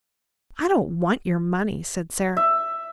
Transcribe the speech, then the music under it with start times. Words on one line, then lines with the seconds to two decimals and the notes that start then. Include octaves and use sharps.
"I don't want your money," said Sara.
2.37 E5